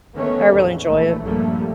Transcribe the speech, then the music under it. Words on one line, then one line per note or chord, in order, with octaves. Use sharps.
I really enjoy it.
D#3 A3 B3 C#4
E2 A2
A#1 E3 A3
A#1 G2 F3 G3 A3 A#3